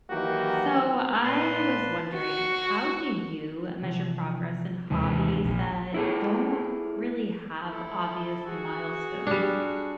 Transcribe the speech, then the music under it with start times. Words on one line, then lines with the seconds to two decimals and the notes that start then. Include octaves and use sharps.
So, I was wondering, how do you measure progress in hobbies that don't really have obvious milestones?
0.10 D#3 E3 F#3 A#3 F#4 G4
1.24 A#2 B4 A5 C6
2.16 F#4
3.82 C3 E3 F3
4.90 D#2 G#2 C3 D#3 E3 A5
5.44 A#1
5.94 E4 G#4 A4
7.69 E4 A4
8.48 F#4 G#4
9.27 G3 D4